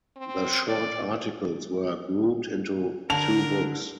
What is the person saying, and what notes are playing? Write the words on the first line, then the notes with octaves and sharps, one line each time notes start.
The "Short" articles were grouped into two books.
C4
D5
D3 A#4 A5 F7